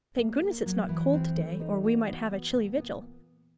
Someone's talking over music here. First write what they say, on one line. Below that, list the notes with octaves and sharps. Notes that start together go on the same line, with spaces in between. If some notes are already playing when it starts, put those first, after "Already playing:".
Thank goodness, it's not cold to-day or we might have a chilly vigil.
A#3
A#3
F#3
E3
C4
A3
D#4
F#4
B3
B3
A#2
B3